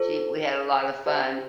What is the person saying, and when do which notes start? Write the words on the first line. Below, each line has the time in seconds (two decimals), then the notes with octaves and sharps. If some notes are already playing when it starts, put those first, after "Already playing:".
She we had a lotta fun.
Already playing: F4 A4 C5
1.06 G4 C5 E5